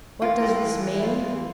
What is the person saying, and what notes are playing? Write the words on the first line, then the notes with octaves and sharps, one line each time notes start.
What does this mean?
A2 F4
A2
E3
E3
E4
F2 F4
E3